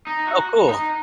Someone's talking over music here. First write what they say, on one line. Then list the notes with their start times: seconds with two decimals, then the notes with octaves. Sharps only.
Oh, cool.
0.07 D#4
0.27 F#4
0.69 D#4